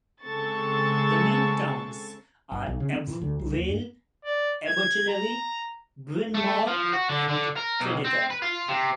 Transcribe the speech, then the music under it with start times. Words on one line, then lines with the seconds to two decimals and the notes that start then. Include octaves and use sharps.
The main towns are Ebbw Vale, Abertillery, Brynmawr and Tredegar.
0.24 C#3 G#3 C4 A4 C#6 A6
2.52 G1
2.66 B1
2.80 C#3
2.93 C4
3.07 A2
3.21 D2
3.39 C2
3.57 D#2
3.69 G2
4.25 D5
4.67 G#6
5.09 A#5
6.35 A3
6.67 F3
6.92 F#4
7.09 D3
7.28 D3
7.56 A#4
7.79 B1
8.04 C4
8.30 B4
8.42 F4
8.69 C3